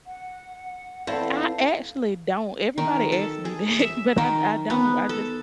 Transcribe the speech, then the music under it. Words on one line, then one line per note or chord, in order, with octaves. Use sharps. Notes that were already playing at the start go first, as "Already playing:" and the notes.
I actually don't. Everybody asks me that, but I I don't. I just
F#5
E2 C4 E4 A4 F5
D#3
A4
G#4
E5
D#3
B3
A4